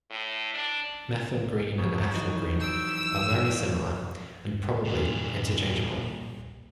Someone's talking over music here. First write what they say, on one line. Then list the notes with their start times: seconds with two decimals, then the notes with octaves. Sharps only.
Methyl green and ethyl green are very similar and probably interchangeable.
0.10 A2
0.54 D4
1.78 F2 C#6 D#6
2.15 E3 F#3 D#4
2.61 E6 G6 D7
4.85 A#2 G3